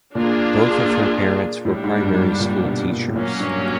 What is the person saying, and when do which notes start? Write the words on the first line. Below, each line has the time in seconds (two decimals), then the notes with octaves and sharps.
Both of her parents were primary school teachers.
0.15 A#2 A#3 D4 F4 G#4
1.64 A2 G3 A#3 D4
1.84 G#2
2.03 G2
2.13 G2
2.21 G#2
2.40 A#2
2.65 B2
2.90 A#2
3.08 A2
3.15 A#2 F#3 A#3 C#4
3.40 G2